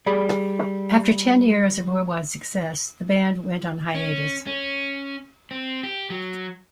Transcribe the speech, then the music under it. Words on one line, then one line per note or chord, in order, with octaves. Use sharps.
After ten years of worldwide success, the band went on hiatus.
G3 G#4 D5 B5
C#4
C#4
C4
G4
F#3